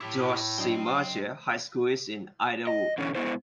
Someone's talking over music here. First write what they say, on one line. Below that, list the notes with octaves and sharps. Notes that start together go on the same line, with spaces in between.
George C. Marshall High School is in Idylwood.
A2 E4 G4
F#3 D4 C5 D#5 G5
D#5
B2 D3 E3 C#4
G#2 C#3 B3 E4 C5